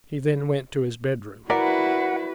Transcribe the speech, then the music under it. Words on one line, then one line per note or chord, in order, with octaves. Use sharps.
He then went to his bedroom.
E4 F#4 A#4 B4 D5 E5 F#5